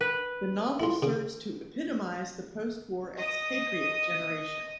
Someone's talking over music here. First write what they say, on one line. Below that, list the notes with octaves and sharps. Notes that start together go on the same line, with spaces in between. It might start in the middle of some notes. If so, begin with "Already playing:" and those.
The novel serves to epitomize the post-war expatriate generation.
B4
E4 F4
C#3
D#5 D#6